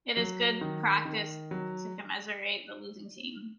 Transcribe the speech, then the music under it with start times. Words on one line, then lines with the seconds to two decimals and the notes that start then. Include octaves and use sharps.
It is good practice to commiserate the losing team.
0.17 F#3
0.61 D#3
1.05 D#3
1.51 F#3